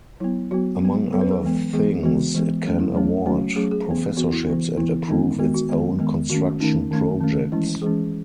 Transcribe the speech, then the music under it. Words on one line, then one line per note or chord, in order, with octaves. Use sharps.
Among other things, it can award professorships and approve its own construction projects.
F#3 B3 E4
F#3 B3 F#4
F#3 B3
F#3 B3 A4
B4
A4
E3 G#3 B3
E3 G#3 B3 G#4
E3 G#3 B3 F#4
E3 G#3 B3
F#3 A3 C#4
E4
F#3 A3 C#4
F#3 A3 C#4 F#4
F#3 A3 C#4 G#4
G#4
E3 B3
E3 B3 F#4
E4
E3 B3
E3 B3 E4
D#3 G#3 B3 D#4
D#3 G#3 B3 F#4
F#4
D#3 G#3 B3
D#3 G#3 B3
D#3 A3 C#4 F#4
D#3 A3 C#4 D#4
D#3 A3 C#4
D#3 A3 C#4
E3 G#3 C#4 E4
E3 G#3 C#4 G#4